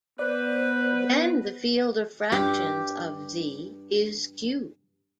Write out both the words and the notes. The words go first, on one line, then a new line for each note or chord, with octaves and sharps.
Then the field of fractions of Z is Q.
B3 B4 C5 D5
G2 G4